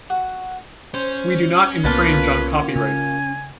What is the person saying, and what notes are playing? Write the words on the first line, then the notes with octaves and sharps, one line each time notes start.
We do not infringe on copyrights.
F#4
C#4 C5
C2 A#3 B3 F4 B4 A5
C#3 G#5